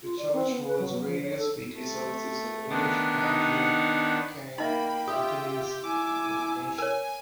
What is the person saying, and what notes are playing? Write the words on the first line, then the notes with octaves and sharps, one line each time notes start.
The church holds various weekly services in English, Mandarin, Hokkien, Cantonese, and Indonesian.
F4
D5
C4
B3
B4
F#3
B3
F3
C#5
A4
A3
D#3 B3 D4
D#4 F#5
A#3 D#4 D#5 E5 G5 B5
F4 G4 E5 D#6
E4 G#5 D6 E6
A#4 C#5 G#5